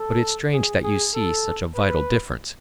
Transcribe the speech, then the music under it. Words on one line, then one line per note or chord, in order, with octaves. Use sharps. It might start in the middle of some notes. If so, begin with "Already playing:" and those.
"But it's strange that you see such a vital difference."
Already playing: A4
G#4
G#4
A4
B4